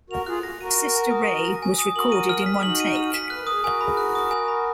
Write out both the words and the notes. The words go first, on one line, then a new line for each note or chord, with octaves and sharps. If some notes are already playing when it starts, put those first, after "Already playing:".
"Sister Ray" was recorded in one take.
F#4 A#4 F7
F4 G#4 F#6
A#6
F#4 A#4 D#7
A#6
G#5
D#6
D#7
A#6
G#5
D#6
F#4 A#4 F#7
D#7
F6
B6
G#4
D#4 F#4 F#7
D#7
F6
B6
B4 F#6
A#4
G#4 D#6
F#4 A#4 G#5
B5
F#6
D#6
G#5
B5